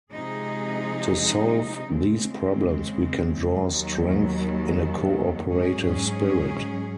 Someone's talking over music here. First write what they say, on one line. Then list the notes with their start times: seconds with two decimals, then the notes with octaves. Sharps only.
To solve these problems, we can draw strength in a cooperative spirit.
0.12 C3 F3 G#3 D#4 G#4
1.90 C#3 G#3 C4
3.70 D#2 D#3 F#3
5.48 G#2 F#3 C#4 G#4